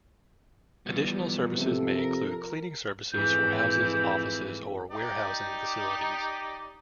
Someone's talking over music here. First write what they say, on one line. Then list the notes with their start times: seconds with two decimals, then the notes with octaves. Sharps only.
Additional services may include cleaning services for houses, offices or warehousing facilities.
0.86 E3 F3 G3 B3
1.57 C3 A4
1.98 A#4
3.12 F2 G#2 E3 G6
4.90 D#4 G4 D5